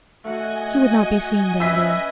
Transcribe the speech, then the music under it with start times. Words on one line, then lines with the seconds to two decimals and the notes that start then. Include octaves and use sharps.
He would not be seen down there.
0.24 A3 F#4 D#5 F#5 G#5
1.60 C#4 B4 D5 E5 G5 E6 B6